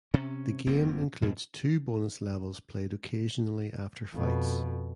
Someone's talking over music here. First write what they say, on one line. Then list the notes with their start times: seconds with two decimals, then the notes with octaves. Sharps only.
The game includes two bonus levels played occasionally after fights.
0.14 C3 C#4
0.67 F#1 F2 A#3 C4
1.22 F2 B2
4.14 F2 B2